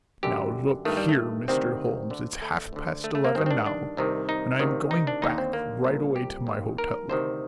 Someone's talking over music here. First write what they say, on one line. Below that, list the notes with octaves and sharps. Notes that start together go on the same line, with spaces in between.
Now, look here, Mr. Holmes, it's half-past eleven now and I am going back right away to my hotel.
F#2 D3 G4
G2 D#3 A3
G3
A3
D2 C3 D#3 C4
D2 D3
A3
D2 D3
A3
A3
A#3
G2 D#3 C4
C4
D4
D4
C2 C3 D#3
D#4
D2 C3 D#3
D#4
D4
D#2 D3 D#4
C4
A#3
C2 A#2
G4
D#2 D#3
A#4
D2 C3 D#3 C5